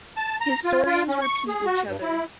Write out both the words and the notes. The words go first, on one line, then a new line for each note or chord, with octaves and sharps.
Historians repeat each other.
A5
A#5
F4
F4
C#4
C#6
G#4
F#4
G2
E4